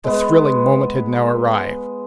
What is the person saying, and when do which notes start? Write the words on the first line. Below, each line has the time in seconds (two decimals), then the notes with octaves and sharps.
The thrilling moment had now arrived.
0.04 G#3 B3